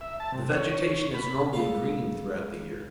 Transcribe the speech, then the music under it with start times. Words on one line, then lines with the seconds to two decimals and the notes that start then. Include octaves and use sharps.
The vegetation is normally green throughout the year.
0.01 E5
0.20 A5
0.32 C3
0.56 C#5
1.14 B5
1.53 C#2 F4 A4 F5